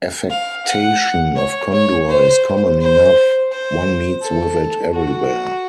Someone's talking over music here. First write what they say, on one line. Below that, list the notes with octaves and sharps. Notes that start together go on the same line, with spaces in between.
Affectation of candour is common enough — one meets with it everywhere.
F5
F#5
C#5
C#5
C5
C5
C5
A4
F#4